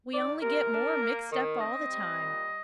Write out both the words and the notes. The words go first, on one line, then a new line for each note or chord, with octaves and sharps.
We only get more mixed up all the time.
D#3 D5
C3 A#4
D4
A#3
D#3
C4 D#5
G3
A#2